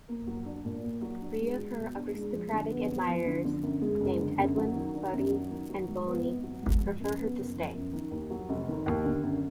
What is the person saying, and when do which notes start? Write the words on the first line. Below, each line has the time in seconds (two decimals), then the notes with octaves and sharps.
Three of her aristocratic admirers, named Edwin, Feri and Boni, prefer her to stay.
0.08 A#3
0.27 F#3
0.45 D4
0.65 A#2
0.83 A#3
1.01 F#3
1.21 D4
1.39 G#3
1.58 F#4
1.77 B2
1.95 D4
2.15 G#3
2.33 F3
2.52 D3
2.70 B3
2.89 F2
3.07 F3
3.26 D3
3.45 D3
3.63 F#2
3.81 G#3
4.01 F#1
4.19 D3
4.38 F#2
4.57 F#3
4.75 D#3
4.94 D4
5.13 F#2
5.31 F#3
5.50 D#3
5.69 F#3
5.88 G#2
6.05 B3
6.25 G#1
6.43 F#3
6.62 G#2
6.80 F3
7.00 F#2
7.19 B3
7.37 F#1
7.55 F3
7.74 F#2
7.93 D#3
8.11 D#2
8.30 F#3
8.49 F1
8.68 D#3
8.86 D#2
9.04 D3
9.23 F#2